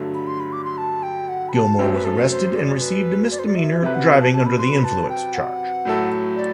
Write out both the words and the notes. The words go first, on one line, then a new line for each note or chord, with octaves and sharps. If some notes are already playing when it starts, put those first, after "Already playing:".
Gilmore was arrested and received a misdemeanor driving under the influence charge.
Already playing: G2 D3 F#3 A3
B5
C6
B5
D6
C6
A5
G5
F#5
B5
A5
F#2 F#3 A3 C4 G5
B4
A4
B4
C5
D5
B4
D5
C5
D5
E5
C3 F#3 C4 E4 B4 E5
F#5
A5
A5
B5
C6
B5
A5
G5
F#5
A2 F#3 A3 E4 A4
D5